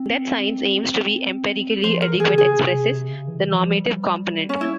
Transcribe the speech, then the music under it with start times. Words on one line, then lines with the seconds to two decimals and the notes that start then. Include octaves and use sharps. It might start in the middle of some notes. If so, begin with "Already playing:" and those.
That science aims to be empirically adequate expresses the normative component.
Already playing: C4
0.40 C4
1.84 F3 C5
2.02 A#4
2.08 E3
2.20 G#4
2.32 C#3
2.38 G#4
2.56 C3
2.74 C3
2.91 C3
3.09 C#3
3.28 E3
3.52 F3
3.76 G3
4.49 C#4
4.61 E4